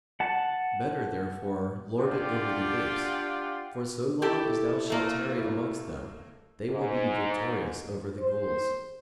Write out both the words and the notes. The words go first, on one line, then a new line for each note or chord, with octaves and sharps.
Better therefore lord it over the apes, for so long as thou shalt tarry amongst them they will be victorious over the Ghuls.
F#5 A5
D4 F4 G4 D5 F#5 G5
E4 G4 A4
A3 A#3
G#2
C5